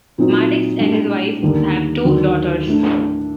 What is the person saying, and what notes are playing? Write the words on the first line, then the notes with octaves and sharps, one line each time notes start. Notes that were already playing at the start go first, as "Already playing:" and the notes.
Maddux and his wife have two daughters.
A#2 F#3 C4 D#4
A2 G3 D4
D#2 D3 G3 A#3 D#4
D#2 D3 F#3
A2 A3 D4